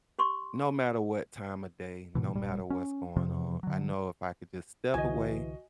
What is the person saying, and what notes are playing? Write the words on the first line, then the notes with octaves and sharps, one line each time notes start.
no matter what time of day, no matter what's going on- I know if I could just step away,
G4 C6 C#6
G#2 B2 E3
E1 A#2 G3
C#4
F2 C3 F3
D3 F#3
C2 D3 E3 F#4 D#5 G#5